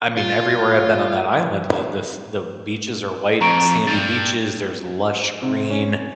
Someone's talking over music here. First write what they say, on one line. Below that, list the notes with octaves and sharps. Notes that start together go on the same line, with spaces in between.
I mean, everywhere I've been on that island, the the f the beaches are white, sandy beaches. There's lush green
F4
F2 A#5 C#6 D7
G2 G3 A6
C3
C#4